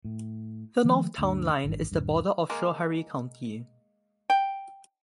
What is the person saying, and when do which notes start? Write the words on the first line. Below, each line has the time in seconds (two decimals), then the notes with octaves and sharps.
The north town line is the border of Schoharie County.
0.05 A2
0.84 D#3 F3 A3 A#3
1.18 D2 G2
1.64 G#1 G2
1.92 D#1 G2
2.50 G#3 A#3
4.30 G5